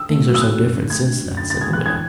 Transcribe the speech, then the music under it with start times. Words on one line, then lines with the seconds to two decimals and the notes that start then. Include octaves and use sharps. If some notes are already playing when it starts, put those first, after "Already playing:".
"But things are so different since that," said the widow.
Already playing: E6
0.10 A3
0.26 F#3
0.34 E6
0.42 A3 F#6
0.58 F#2
0.74 D3
0.89 A3 G#6
1.06 D3
1.22 F#2
1.37 D2 A6
1.50 A6
1.54 G#3
1.61 G#6
1.70 E3 F#6
1.86 G#6